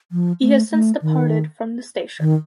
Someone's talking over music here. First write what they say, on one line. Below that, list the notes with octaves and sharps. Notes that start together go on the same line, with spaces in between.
He has since departed from the station.
F3
A3
A3
D#3
D#3